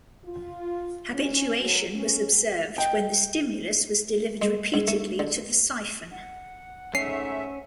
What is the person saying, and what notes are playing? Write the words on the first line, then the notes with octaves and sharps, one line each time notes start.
Habituation was observed when the stimulus was delivered repeatedly to the siphon.
F4
C#4
F#3
C#4
D#5 G5
G#3
G#2
A3
D3
F#5
G#2 A3 C#4 E5 C7